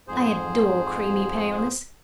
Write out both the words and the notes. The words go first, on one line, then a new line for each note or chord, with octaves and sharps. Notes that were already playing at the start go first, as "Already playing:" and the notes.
I adore creamy paleness.
F2 G#2 G#4 C5